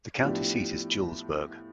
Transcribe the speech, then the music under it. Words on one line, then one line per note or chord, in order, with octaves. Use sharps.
The county seat is Julesburg.
A2 F3 B3 D4 G4